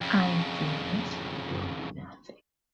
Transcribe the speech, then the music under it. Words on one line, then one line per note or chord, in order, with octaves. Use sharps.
I'm famous for doing nothing.
F2 C#3